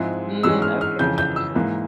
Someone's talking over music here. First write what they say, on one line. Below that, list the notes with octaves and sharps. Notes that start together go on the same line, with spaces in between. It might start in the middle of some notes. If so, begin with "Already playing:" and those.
Mm, okay, gotcha.
Already playing: G#2 F3 G#3 C4 E4
G#2 E3 G#3 C#4 E6
F6
F6
F2 C#3 E3 G6
G6
E6
G#2 E3 A#3 E4